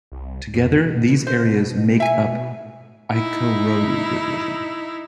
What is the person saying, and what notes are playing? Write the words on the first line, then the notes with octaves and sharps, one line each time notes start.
Together these areas make up Ikorodu Division.
C2
F2
B2
C5
E5 G#5
D#4 E4